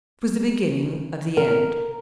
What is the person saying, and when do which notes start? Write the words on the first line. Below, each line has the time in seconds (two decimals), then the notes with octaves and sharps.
It was the beginning of the end.
1.37 A#4